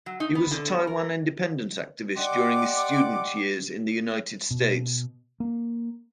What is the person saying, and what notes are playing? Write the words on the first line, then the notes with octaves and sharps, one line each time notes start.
He was a Taiwan independence activist during his student years in the United States.
F#3
D#4
B3
D3
B3
A#4
G4 D5 D#5 F#5 C6 D6
B2
A#3